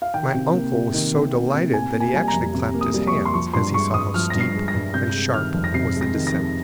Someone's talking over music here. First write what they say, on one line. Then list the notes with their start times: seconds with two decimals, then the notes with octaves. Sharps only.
My uncle was so delighted that he actually clapped his hands--as he saw how steep and sharp was the descent.
0.02 F5
0.14 D#3 G5
0.34 C3
0.54 A#3
0.74 C3
0.94 D#3
1.14 C3
1.35 A#3
1.54 C3
1.73 C3 G#5
1.94 A#3
2.00 G#5
2.14 G3 G#5
2.28 A#5
2.34 F2
2.54 C3
2.74 A#3
2.81 D#6
2.94 G3
3.07 C#6
3.14 F2
3.25 C6
3.34 F3 C#6
3.54 G2 C6
3.74 G#3 C#6
3.94 G2 D#6
4.14 F3 F6
4.30 G2 A#6
4.40 C7
4.54 G#3
4.68 A#6
4.75 G2
4.93 C3 G6
5.14 G#3
5.34 D#3 F6
5.54 F2
5.64 A#6
5.74 C3 C7
5.94 G#3
6.01 A#6
6.14 D#3
6.27 A#6
6.34 F2